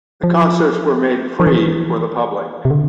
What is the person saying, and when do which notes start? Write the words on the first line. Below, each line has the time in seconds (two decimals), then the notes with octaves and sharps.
The concerts were made free for the public.
0.23 F3
1.40 F3
1.47 E3
2.65 C3
2.70 D3